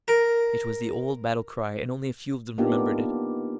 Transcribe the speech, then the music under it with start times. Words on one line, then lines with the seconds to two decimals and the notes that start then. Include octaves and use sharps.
It was the old battle cry, and only a few of them remembered it.
0.08 A#4
2.58 A#3 B3 D4 D#4 F4 G4